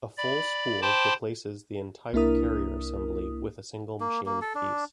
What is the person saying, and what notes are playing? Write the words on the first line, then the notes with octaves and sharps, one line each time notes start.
A full spool replaces the entire carrier assembly with a single machined piece.
D5 B5
C5 G5 A5 B5 C6 D6
C2 A#3 D4 E4 A#4 D#6
A#3
A#3
A4
D4